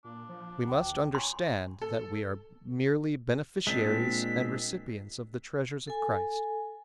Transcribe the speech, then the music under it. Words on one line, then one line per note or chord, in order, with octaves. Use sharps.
We must understand that we are merely beneficiaries and recipients of the treasures of Christ.
A#2 D4
F3
D2 G5
C#5 G#5 C6
A4
A#2 G#3 C4 D4 B6
A4 G#5